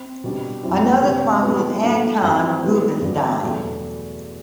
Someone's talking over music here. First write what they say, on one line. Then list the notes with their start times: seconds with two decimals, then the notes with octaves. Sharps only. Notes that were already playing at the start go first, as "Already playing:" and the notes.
Another sponsor was Anton Rubinstein.
Already playing: C4
0.24 B2 G3 D4
0.63 F#2 F#3 C4 E4
1.03 C3 G3 D4
1.43 A2 F#3 B3
1.83 A2 F#3 A3 D4
2.22 G2 F#3 C4
2.62 A2 E3 G3 B3
3.01 G2 D3 F#3
3.42 E2 B2 F#3 A3